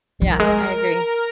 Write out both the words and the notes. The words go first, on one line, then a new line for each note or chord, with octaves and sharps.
Yeah, I agree.
F#3
G3 A#4
G#3